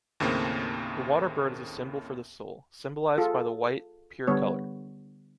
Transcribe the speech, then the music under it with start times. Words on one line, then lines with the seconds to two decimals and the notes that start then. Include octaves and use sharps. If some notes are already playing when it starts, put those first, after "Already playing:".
The water bird is a symbol for the soul, symbolized by the white, pure color.
0.20 D#2 A2 C#3 A#3 C4 C#4
3.18 F4 G#4 A4
4.27 D3 G3 B3 C#5